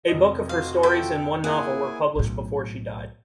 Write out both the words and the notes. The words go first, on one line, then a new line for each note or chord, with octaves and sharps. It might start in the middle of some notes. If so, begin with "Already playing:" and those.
A book of her stories and one novel were published before she died.
F1 D#5
F4 F#4 F5
A4 E5 G5
A#3 E4 G#4 F#5 G#5
B1 A2